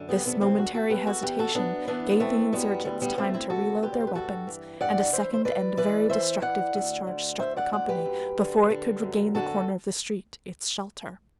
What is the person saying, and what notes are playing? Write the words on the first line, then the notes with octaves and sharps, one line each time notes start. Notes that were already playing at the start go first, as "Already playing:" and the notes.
This momentary hesitation gave the insurgents time to re-load their weapons, and a second and very destructive discharge struck the company before it could regain the corner of the street, its shelter.
Already playing: F#2 D3
G3 B3
C3 B3 D4
C4 E4
E2 D4 F#4
F#4 A4
E2 G4 B4
F#4 A4
E2 G4 B4
F#4 A4
F#2 B3 D4
E3 B3 D4
E3 A3 C4
F#2 G3 B3
D2 G3
G3 B3
D2 A3 C4
C4 E4
C3 F#4 A4
D2 G4 B4
D5
C5
B4
G2 F#4 A4
E3
G2 D5 F#5
E3 C5 E5
C5
E3 B4 D5
E3 B4 D5
E3 C5 E5
E3 D5 F#5
D2
D2
D2 C5 E5
D5 F#5
D2 D5 F#5
G4 B4
F#2
D3
D3
F#2
D3 F#4 A4